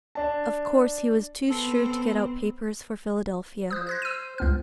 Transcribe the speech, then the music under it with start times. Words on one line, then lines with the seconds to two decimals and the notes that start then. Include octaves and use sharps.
Of course he was too shrewd to get out papers for Philadelphia.
0.15 D4 A5
1.49 B3 C4 A4
3.71 F3 C5 D#6 F#6
3.87 C5 F#6 G#6 A#6
4.02 E6 D#7
4.38 C#2 B3 F6